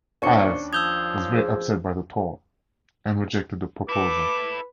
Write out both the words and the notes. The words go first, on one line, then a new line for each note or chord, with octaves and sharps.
Ives was very upset by the thought, and rejected the proposal.
D#2 A#2 C#4 D4 C5 D5 C#6 C#7
F3 D#6 E6 G6 G#6 F7 G7
G#4 C5
E4 A4 B4 D6